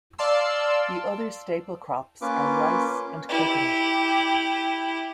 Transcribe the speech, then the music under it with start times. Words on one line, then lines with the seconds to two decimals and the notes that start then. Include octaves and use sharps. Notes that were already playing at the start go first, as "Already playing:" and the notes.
The other staple crops are rice and coconut.
0.18 D5 F5 A5 C6 E6
2.22 A#3 C#4 F4 B4 D6
3.29 E4 G4